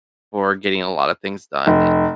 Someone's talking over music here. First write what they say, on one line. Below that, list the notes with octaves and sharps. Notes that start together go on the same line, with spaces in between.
for getting a lotta things done and
F1